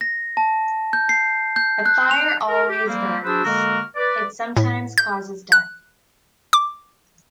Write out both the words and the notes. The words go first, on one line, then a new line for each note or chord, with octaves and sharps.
The fire always burns, it sometimes causes death.
A#6
A5
G6
C7
G6
F#6
F7
A#4
G4
G3 A#3 C4
D4 F#4 G#4 B4 C5 E6
D3 G#3 A#3 F#4 A#4 F6
B4 D5
A2
G6
F#6
D6